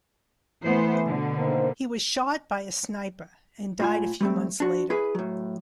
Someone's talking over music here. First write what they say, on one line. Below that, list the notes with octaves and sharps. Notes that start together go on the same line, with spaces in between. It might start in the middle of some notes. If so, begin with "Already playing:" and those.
He was shot by a sniper and died a few months later.
E3 A3 B3 C5
B2 D3
D#3 A#3 C5
A2 F4 G#5
G3 A3 C4
D4 F#4
E4 G#4 B4
A2 F#3